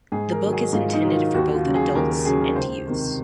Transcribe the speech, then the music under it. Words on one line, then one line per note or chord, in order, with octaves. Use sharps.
The book is intended for both adults and youths.
G#2 G#4
A#4
D#3 F#3
G#4
G#2 F4
D#4
D#3 F#3
F4
D#2 F#4
F4
C#3 F#3
G#4
D#2 A#4
A#4
C#3 F#3 G#4
A#4
C#2 C5
C3 D#3